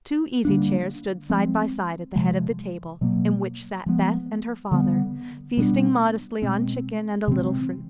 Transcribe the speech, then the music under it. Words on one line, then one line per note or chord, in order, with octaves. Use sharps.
Two easy chairs stood side by side at the head of the table, in which sat Beth and her father, feasting modestly on chicken and a little fruit.
D3 G3 A#3 D4
F3 G#3 C4
C3 F3 G#3
B2 F#3 A#3
F3 G#3 B3
D3 G3 B3
B2 G3 B3 D4
B2 G#3 C4
C3 E3 G#3 C4